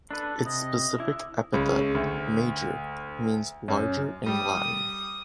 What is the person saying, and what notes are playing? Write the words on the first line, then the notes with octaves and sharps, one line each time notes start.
Its specific epithet "major" means "larger" in Latin.
D4 A4 B4
C3 D#5
D3 E4
C#2
D2
F#2
G3 D#6